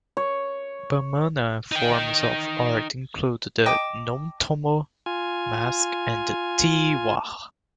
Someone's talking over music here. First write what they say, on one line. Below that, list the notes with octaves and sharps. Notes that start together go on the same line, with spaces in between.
Bamana forms of art include the "n'tomo" mask and the Tyi Warra.
C#5
D#4 G5
D#5 G5 A5 D6
F4 G#5